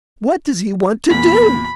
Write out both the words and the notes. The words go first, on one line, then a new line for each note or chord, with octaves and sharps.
"What does he want to do?"
E2 A#2 B5